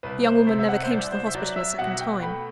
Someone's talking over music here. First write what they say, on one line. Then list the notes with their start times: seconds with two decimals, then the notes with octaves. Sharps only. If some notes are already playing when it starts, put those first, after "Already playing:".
The young woman never came to the hospital a second time.
0.03 C2 B4
0.25 C5
0.47 C3 E5
0.59 E5
0.69 F#5
0.83 C5
0.90 C2 D5
1.12 C5
1.27 E5
1.34 F#3 D5
1.56 E5
1.79 B2 F#5
2.00 G5
2.22 A3 B5